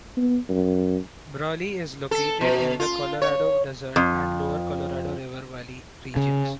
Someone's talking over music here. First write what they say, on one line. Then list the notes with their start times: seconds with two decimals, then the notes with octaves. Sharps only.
Brawley is located in the Colorado Desert and Lower Colorado River Valley regions.
0.17 B3
0.49 F#2
2.11 A4
2.41 B2
2.80 F4
3.22 C#5
3.96 F2
6.16 C#3